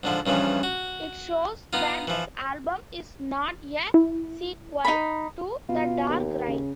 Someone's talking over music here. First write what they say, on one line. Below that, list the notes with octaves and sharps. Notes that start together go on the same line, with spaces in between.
It shows that this album is not a sequel to 'The Dark Ride'.
G#2 D3 F3
G2 C#3 E3 F3
F#4
B3 D#4 F4
E3 F3
E4
D#4 B5
B2 F4
D#2
C#3